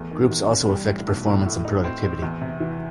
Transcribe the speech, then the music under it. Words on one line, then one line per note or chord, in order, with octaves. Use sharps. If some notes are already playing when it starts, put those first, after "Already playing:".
Groups also affect performance and productivity.
Already playing: E2 A3
D#3
E2
E1
G3
A2
B1
A2
A2
D#4
C4
C4
E2
C3
E3